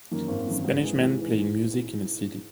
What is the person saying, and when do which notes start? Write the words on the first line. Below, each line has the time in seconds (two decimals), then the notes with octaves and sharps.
Spanish men playing music in a city.
0.11 F#2 D#3 A#3
0.28 G#1
0.46 F#2 D#3 A#3
0.64 G#2
0.83 E3 G#3
1.01 G#2
1.19 E3